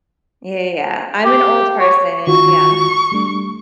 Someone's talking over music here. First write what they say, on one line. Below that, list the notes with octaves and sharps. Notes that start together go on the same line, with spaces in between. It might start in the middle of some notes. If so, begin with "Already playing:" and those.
Yeah, yeah, yeah. I'm an old person. Yes.
G4
C#5
D#3 F4 F#4 C#6
G3 A3 D4